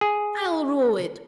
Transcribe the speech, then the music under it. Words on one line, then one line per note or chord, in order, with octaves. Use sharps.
"I'll rule it!"
G#4